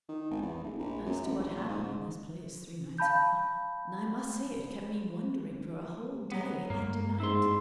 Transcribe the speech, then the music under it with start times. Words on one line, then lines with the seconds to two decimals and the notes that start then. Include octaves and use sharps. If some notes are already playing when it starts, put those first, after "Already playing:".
As to what happened in this place three nights ago, I must say it kept me wondering for a whole day and a night.
0.09 D#3
0.31 G#1
0.42 E2
0.64 F1
0.79 A#1
1.06 F#2
1.23 A1
1.39 A#1
1.55 A#2
1.68 G#2
1.83 G#2
2.98 F5 A5 B5 G6
6.32 F#3 B3
6.70 G2 A#3
7.20 G#2 E4 C6